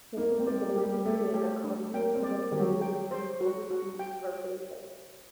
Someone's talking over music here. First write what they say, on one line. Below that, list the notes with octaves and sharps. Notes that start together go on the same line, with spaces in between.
This is beginning to create a conflict because many wages overseas are raising.
A#3 D#4
A#3
C4
D5
A#3
G4
G3
A3 D5
G4
D4
A#3 G5
C4
D5
A#3
D#3 G4
F#3
G5
C5
F#4
F#4
G5